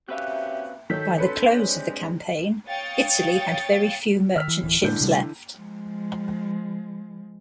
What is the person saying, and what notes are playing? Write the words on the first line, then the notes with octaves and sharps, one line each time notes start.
By the close of the campaign, Italy had very few merchant ships left.
C4 C#4 F#4 G4 B4 E5 F5 F#6
D#3 F#3 A4 C#5 G6 B6
C4 D4 B4 C5 C#7
G3 G#3
C#5 F5 G5 D#6 A6 C#7
D#3 E6 F6 B6
E3
D1 E3
A2 D3 E3 G#3 A#3 G6
C3 G3 A3
F3 G#3